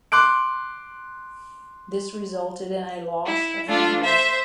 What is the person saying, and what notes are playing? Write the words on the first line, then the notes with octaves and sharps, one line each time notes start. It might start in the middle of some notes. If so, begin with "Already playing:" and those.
This resulted in a loss of fans.
C6 D6 F#6 D7
E4
A3 D4 F4
C5 E5